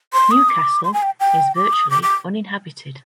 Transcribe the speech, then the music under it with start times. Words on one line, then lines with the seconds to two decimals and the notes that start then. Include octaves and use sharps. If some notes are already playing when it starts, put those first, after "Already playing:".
Newcastle is virtually uninhabited.
0.13 C6
0.31 D#6
0.49 D6
0.85 C6
0.94 G#5
1.03 G5
1.20 G5
1.56 D6
1.73 D#6
1.91 D6
2.03 D6